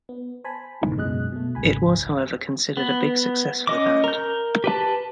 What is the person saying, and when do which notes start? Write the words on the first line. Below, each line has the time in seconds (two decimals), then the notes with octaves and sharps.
It was however considered a big success for the band.
0.09 B3
0.44 C5 G#5 A5 B5
0.81 C#2 G#2 B2 D#3 E3 A3
0.97 F#2 B2 G#3 D#5 F#6
1.32 B2 A3
1.55 G#1 C#2 G2 G#5 B5
2.77 B3
3.67 C#4 D#5 D6
4.04 A#4 G6
4.64 G4 B4 A5